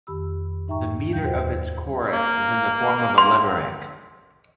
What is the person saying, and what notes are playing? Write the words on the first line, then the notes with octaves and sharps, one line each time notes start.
The meter of its chorus is in the form of a Limerick.
F2 D#3 G4 B5 E6
G#2 D#4 E5 G5 A#5 C#6
D#2 B2 F#3 F5 G5 G6
F4 F#4 C5 D#5 F#5 G5
A#3
C6